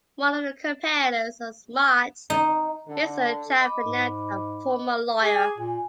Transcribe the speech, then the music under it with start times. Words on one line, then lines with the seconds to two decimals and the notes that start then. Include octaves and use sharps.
One of the competitors is smart, Mr Chatfinet, a former lawyer...
2.30 D#4
2.87 D3
3.60 D#5 B5 D6
3.85 G#2
5.23 G#4 D6
5.58 A#2 G#5